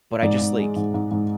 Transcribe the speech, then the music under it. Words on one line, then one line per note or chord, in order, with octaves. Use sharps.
But I just, like
G#2 D5
G#2
G#3
G#2
G#2
G#2